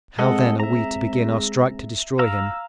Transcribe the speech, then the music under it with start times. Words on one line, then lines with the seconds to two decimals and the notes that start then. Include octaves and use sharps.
How then are we to begin our strike to destroy him?
0.19 G#3 C4 G#4 A4 D#5 F#5
0.60 E5 A#5
2.19 F5 A#5 E6